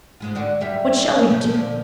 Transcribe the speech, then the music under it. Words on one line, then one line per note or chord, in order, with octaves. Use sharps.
What shall we do?
G#2 G#3 F4
D3 D4 F#4
F#2 G3 E5
B2 F3 A3
A#2 D3 F3